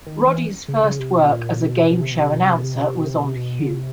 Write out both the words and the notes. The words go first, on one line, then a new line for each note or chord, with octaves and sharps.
Roddy's first work as a game show announcer was on Whew!
D#3
E3
C#3
C#3
C3
B2
A#2
B2
B2
C3
B2
C3
B2
C3
B2
C3
B2
C3
B2
C3
B2
C3
B2
D3
C#3
C3